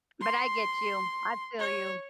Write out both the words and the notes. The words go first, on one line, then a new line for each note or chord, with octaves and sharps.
But I get you, I feel you.
C6
C#5